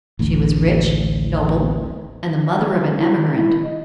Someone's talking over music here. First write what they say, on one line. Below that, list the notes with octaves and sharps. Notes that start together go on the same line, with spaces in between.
She was rich, noble, and the mother of an Emigrant.
A1 D2
E4
D#3
E4
D#5